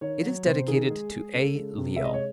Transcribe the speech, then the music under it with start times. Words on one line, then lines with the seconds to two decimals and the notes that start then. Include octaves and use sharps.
It is dedicated to A. Leo.
0.01 D#3 C#5
0.23 F#3
0.45 C3 C5
0.68 D#3 G#4
0.90 G#3
1.12 G#3
1.34 C#3 A4
1.55 G#3
1.78 C3
1.96 E5
2.01 G#3 D#5
2.13 C#5